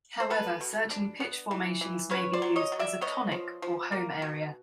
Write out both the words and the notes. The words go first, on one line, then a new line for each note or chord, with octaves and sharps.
However, certain pitch formations may be used as a "tonic" or home area.
C5
B3 A4 B4
B2
D4
B3
E3
E3
C#4 B4 C#5
C5 D5
F#3
C#5 D#5
F#3
D5 E5
B3 C#5 D#5
F3
F3
A#3
B2